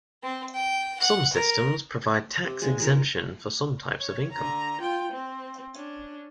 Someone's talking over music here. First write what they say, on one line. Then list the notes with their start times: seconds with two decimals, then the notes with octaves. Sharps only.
Some systems provide tax exemption for some types of income.
0.23 C4
0.54 G5
1.00 F#5
1.33 A#4
2.44 C3
2.62 D#1 G#3
2.80 G1 G#3 D#4 A#4
3.99 C#5
4.32 D3 A#5
4.81 F4 G5
5.12 C4
5.74 C#4 D4